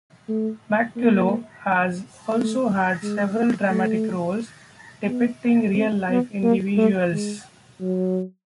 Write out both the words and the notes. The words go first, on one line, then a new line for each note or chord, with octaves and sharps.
McCullough has also had several dramatic roles depicting real-life individuals.
A3
A#3
A3
G#3
A3
B3
C4
B3
A#3
A3
G#3
F#3